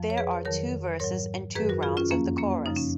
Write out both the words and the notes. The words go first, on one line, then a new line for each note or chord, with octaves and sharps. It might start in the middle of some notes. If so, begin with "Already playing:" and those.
There are two verses and two rounds of the chorus.
Already playing: F2 F3
C#5
G#4 B4
F2 D#3 F#3 A#4 C#5
G#2 F#3 A#4 C#5
F#2 D#3 F#3 G#4 B4
F#4 A#4
F4 G#4
C#4 F4
F2 F3 A#3 C#4
A#3 C#4
F#2 C#3 F3 D#4
C#4